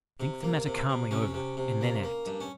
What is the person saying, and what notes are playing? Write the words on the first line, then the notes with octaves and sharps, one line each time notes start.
Think the matter calmly over, and then act.
C3
A#3
C3
C3
C3 C#4
C3
C3
A#3
A#3
G2
C#4